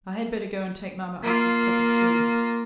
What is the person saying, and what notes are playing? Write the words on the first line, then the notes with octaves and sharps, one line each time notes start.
'I had better go and take mamma up this cup of tea.
A#3 F4